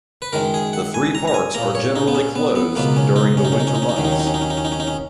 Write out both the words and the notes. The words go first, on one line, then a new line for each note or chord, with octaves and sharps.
The three parks are generally closed during the winter months.
B4
F#2 D#3 G#3 A#4
G#4
F#5
G#5
A#5
A#5
G#5
A#2 A#3 A#5
C#5
D#4
B3
C#4
B3
B3
C#2 B2 F#3 A#3 B3
C#4
D#4
C#4
D#4
C#4
D#4
C#4
D#4
C#4
D#4
D#2 D#3 F#3 C#4
D#4
C#4
D#4
C#4
D#4
C#4
D#4
C#4
D#4
C#4
D#4
C#4